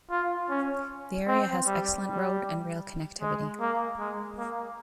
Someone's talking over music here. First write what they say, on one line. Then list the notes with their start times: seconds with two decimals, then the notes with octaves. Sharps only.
The area has excellent road and rail connectivity.
0.10 F4
0.50 C#4
1.27 C4
1.66 G3
2.05 G3
3.21 G#3
3.61 A#3
3.99 G#3
4.38 A#3